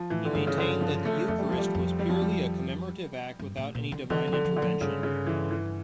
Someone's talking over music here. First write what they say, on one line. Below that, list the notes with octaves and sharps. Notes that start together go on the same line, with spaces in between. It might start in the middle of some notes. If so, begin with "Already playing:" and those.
He maintained that the eucharist was purely a commemorative act without any divine intervention.
Already playing: F3
A2 E3
D3
G2 C#3
C#3
D3
F3
A3
F2 A3
G3
E2 F3
G3
F2
G3
F3
G3
G2
A2
A#2
D3
D3 E3
F3
D3
F3
D3
F3
G2 C#3
C#3
E3
E3